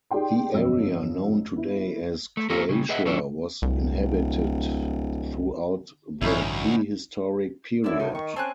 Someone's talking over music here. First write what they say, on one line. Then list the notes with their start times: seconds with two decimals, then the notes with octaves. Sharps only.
The area known today as Croatia was inhabited throughout the prehistoric period.
0.11 D#4 G4 G#4 D5 G5 C6
0.53 G1 F2 F#3 C#4 D#5 E6
1.56 B3 E4
2.37 A3
2.49 A#3 C#4 F4 G4 A4 A#4
2.69 C#3 F3 G3
2.89 G#4 B4 D#5 E5 F#5
3.05 F#3 C#4 D4 F4 A4
3.62 D1 C2
6.22 A1 D2 G2 E3 C#4 D#4 E4
7.84 F#2 E4 D5 E6
8.00 D2 A2 D#4
8.15 D#3 C#6
8.36 C4 C#4 C5 G#5 A5 F#6